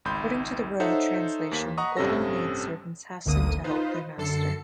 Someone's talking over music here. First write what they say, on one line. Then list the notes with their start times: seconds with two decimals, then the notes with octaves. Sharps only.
According to the Rieu translation, Golden maidservants hastened to help their master.
0.05 G#1 C#2 B5 C6 G6
0.80 D#4 A4 C5 C#5 E5 F#5
1.51 D#2 A#3 B6
1.78 D#5 F#5 A#5 C#6 D#6
1.97 A1 G2 C3 C#4 A4 A#6
3.25 G#1 D2 D3 A#3 D#6 D#7
3.64 D#4 F4 B4 C5
4.17 F#2 D3 A4 C7 C#7